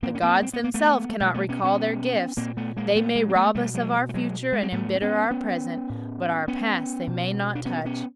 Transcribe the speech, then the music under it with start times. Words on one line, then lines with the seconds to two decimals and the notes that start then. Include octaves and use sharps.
"The gods themselves cannot recall their gifts." They may rob us of our future and embitter our present, but our past they may not touch.
0.02 A2 A#3 C4
0.15 C#4
0.22 A#3 C4
0.42 C4
0.53 B3
0.64 A#3
0.74 A3 B3
1.09 A3
1.20 B2 G#3 A#3
1.34 A3 B3
1.49 B3 C#4
1.64 B3 C#4
2.37 A#2 A#3 C4
2.57 A3 B3
2.77 G#3 A#3
2.96 A3 B3
3.15 G#3 A#3
3.29 C4
3.35 A3 B3
3.55 B2 G3 A3
3.74 F#3 G#3
4.09 A3
4.14 F#3 G#3
4.52 G#3 A#3
4.63 C4
4.72 A2 A3 B3
4.94 C4
5.02 B3 C#4
5.31 B3 C#4
5.89 A2
6.48 B3 C#4
7.07 B2
7.55 D4
7.65 B3 C#4
7.85 B3 C#4